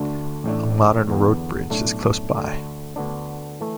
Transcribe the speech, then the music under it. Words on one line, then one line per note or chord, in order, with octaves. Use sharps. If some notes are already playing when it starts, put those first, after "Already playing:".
A modern roadbridge is close by.
Already playing: D2 D3 A3 D4
A1 A2 A3 D4
E2 D3 B3
B1 A2 A3 D4
D2 D3 A3
D2 D3 B3 D4
E3 A3